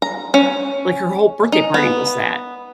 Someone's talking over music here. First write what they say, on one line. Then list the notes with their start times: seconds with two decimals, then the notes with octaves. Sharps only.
like, her whole birthday party was that.
0.02 A#5
0.34 C#4
1.52 D#4
1.74 B3